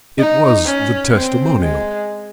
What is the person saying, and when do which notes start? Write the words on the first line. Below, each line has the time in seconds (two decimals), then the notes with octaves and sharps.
It was the testimonial.
0.19 D#4
0.66 C#4
1.14 C4
1.60 G#3